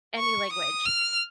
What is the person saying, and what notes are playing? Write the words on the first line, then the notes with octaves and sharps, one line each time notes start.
any language,
C#6
D#6
F6